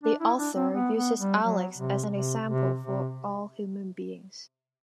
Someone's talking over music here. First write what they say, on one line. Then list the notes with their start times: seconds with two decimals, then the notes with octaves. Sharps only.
The author uses Alex as an example for all human beings.
0.03 D4
0.21 E4
0.38 D4
0.55 C4
0.74 B3
0.96 B3
1.20 G3
1.43 F#3
1.78 C3
2.12 C3
2.48 C3
2.82 C3